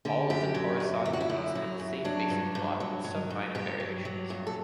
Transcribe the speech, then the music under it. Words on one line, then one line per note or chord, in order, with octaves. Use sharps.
All of the Tora-san movies had the same basic plot with some minor variations.
D3 G4
F#2 G4
F#3
F#2
D3 E4
F#4
E4
F#2
F#3
F#2
F#3 D4
G2
G2
F#3
F#3
G2
G2 G4
F#3
F#3
G2
A4